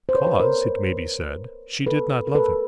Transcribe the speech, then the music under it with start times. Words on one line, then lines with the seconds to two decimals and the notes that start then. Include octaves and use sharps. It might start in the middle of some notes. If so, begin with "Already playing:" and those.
Because, it may be said, she did not love him.
0.09 C5
0.15 B4 C#5
0.27 B4
0.40 A#4 C5
1.87 A4 B4
2.27 A#4
2.35 A4 B4